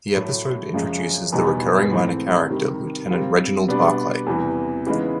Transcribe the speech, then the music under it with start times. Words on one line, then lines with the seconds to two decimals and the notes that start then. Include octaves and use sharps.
The episode introduces the recurring minor character Lieutenant Reginald Barclay.
0.14 A2 F#3 A3
0.74 F#2 C#3 F3 G#3
1.32 E2 B2 G3 B3 D#4
1.91 G#2 E3 A3 C4
2.50 C3 D#3 G3
3.10 G3 C4 F4 A#4
3.68 B2 G3 B3 D4
4.26 E2 C3 E3 G3
4.86 C#3 E3 G#3 B3 D#4